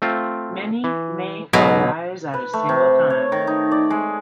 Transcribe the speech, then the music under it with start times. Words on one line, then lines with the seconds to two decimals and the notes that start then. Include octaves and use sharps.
Many may arise at a single time.
0.02 A3 C4 F4
0.84 E3
1.53 B1 G#2 B2 F#3
2.34 B4
2.53 A3
2.69 C3
3.10 C#5
3.32 D#3
3.47 D#4
3.71 D5
3.90 G#3